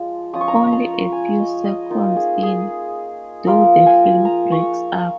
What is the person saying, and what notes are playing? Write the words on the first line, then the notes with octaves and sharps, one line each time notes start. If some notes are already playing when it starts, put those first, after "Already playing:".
Only a few seconds in, though, the film breaks up.
Already playing: F3 G#3 F4
F3 C#4 F4 D#6
C#6
A#5
C#6
A#5
G#5
D#5
D#5
A#3 D#4 F4
G#4
G#4
F3 A#3 F4 A#4
G#5
A#5
C#6